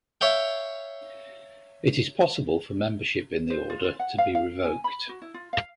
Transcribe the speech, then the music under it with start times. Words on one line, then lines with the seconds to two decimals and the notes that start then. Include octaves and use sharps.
It is possible for membership in the Order to be revoked.
0.21 C#5 E5 F5 G5
3.50 C5
3.70 F4
3.84 F4
3.99 F#5
4.18 F5
4.35 F5
4.64 G#5
4.84 B5
5.09 F#4
5.22 E4
5.34 F4
5.53 F5